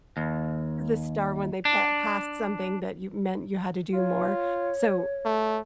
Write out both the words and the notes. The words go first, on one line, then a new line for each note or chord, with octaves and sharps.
The star one, they pa passed something that you meant you had to do more. So,
D#2
D4
F4 C#5
A3